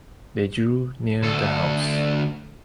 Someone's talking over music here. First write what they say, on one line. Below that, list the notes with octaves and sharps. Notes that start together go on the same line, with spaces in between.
They drew near the house.
D2 A4